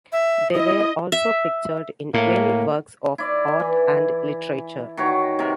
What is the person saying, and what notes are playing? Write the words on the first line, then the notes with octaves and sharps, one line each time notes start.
They were also pictured in many works of art and literature.
E5
E4 D#5
E5
A2 A#3
E4 D5
E3
D#3 F#4 C#5
C3 A#4